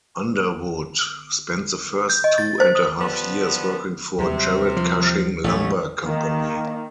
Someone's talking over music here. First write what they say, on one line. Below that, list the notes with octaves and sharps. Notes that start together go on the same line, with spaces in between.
Underwood spent the first two and a half years working for Jarrett-Cushing Lumber Company.
G6
D#5
A6
C5
D#6
F3 G3 B3
D#2 C3 F#3 G3
F3
A1 A3 C#4
D#3 A#3